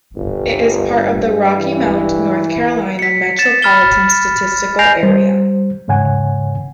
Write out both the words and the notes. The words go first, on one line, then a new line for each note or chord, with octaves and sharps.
It is part of the Rocky Mount, North Carolina Metropolitan Statistical Area.
G1 G2
E3
B6 C#7
A6 E7
B5 F6 A6 G7
G#5 G6 A#6 C7 F7
G3 C5
E2 G#2 C#3 C#5 F#5 G#5